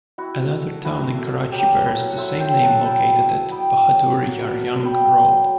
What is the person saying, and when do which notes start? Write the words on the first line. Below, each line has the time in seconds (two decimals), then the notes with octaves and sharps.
Another town in Karachi bears the same name, located at Bahadur Yar Jang Road.
0.18 E4 F#4
0.51 A3
0.85 E4 F#4
1.18 A3
1.51 F#3 G4
1.85 E4
2.09 F#5
2.17 A3 C5 E5
2.40 E5 G5
2.51 F#3
2.62 F#5 A5
2.75 A5
2.84 F#3 G5 B5
3.17 D4
3.51 B3 G5 B5
3.85 F#3
4.17 F#3
4.51 D4
4.84 B3 G5 B5
5.18 F#3